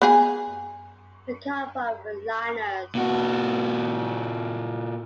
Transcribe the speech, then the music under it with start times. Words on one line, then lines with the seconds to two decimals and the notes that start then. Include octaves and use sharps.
We come from Llanars.
0.02 B3 G#4 G#5
2.95 A#2 F#4